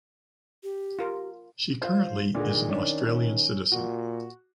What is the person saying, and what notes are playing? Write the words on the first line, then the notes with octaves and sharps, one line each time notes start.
She currently is an Australian citizen.
G4
F4 A#4
F4 C5
A#2 D3 D#3 G#3
C#4 D4
C#4
A#2 F#4